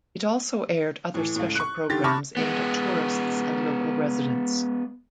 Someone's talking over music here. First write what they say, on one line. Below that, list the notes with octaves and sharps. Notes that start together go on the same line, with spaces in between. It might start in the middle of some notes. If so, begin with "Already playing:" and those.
It also aired other special programs aimed at tourists and local residents.
A2 E3
C#2 A2
C#6 F#6
D3 D#3 G4 A6
A5 B5 C#6 D6 F6 A#6
G#3 B3